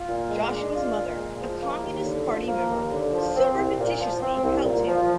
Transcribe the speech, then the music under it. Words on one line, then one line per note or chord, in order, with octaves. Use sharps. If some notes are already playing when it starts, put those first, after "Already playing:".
Joshua's mother, a Communist party member, surreptitiously helped him.
Already playing: F4
A#2
G#3
D4
F4
A#2
G#3
F3
A#3
D#2
D3
F3
A#3
D#2
D3
F3
C4
C2
A#2
F3
C4
C2
A#2
F3